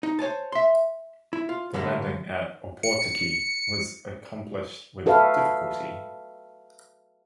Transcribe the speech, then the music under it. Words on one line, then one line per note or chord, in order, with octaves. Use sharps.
The landing at Opotiki was accomplished with difficulty.
D#4
C5 C#5 G#5 A5
E5 C6
E4
F4
A#2 D3 G3 A3 A#3
C#7
F#4 A4 B4 E5 F5